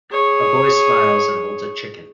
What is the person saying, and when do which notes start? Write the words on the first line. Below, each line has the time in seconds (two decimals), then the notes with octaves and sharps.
A boy smiles and holds a Chicken.
0.11 G#4 C#5